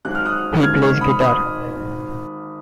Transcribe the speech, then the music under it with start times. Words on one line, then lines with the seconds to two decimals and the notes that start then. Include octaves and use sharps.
He plays guitar.
0.05 G#1 G#2 F#3 F#6
0.15 F6
0.25 D#6 F#6
0.63 G#1 G#2 D#3 A#3 F6 G#6
0.82 C#6 F6
1.01 B5 D#6
1.20 G#1 G#2 D#3 B5 D#6